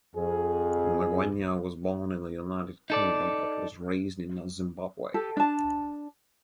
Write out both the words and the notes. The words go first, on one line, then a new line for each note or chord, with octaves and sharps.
Ngwenya was born in the United Kingdom but was raised in Zimbabwe.
F2 G#4
D#4 A4 D5
G4 A4
D4 A5